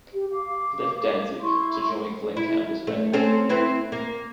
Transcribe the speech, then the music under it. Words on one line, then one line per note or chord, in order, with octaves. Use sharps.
He left Danzig to join Glenn Campbell's band.
G4
F5 D6
E4 C6 C#6
E4
A3
C4 C#4 A4
C4 E4 B4
A#3